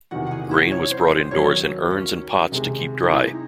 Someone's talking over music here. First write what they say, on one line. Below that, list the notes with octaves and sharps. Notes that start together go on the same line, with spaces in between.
Grain was brought indoors in urns and pots to keep dry.
E2 C3 D#3 F#4 F#5
F#5
G#4 G#5
E4 E5
C#4 C#5
C5
C5
D#2 D#3 F#3 C#4 C#5
C#4
C3 D#3 G#3
D#4
E4
D#4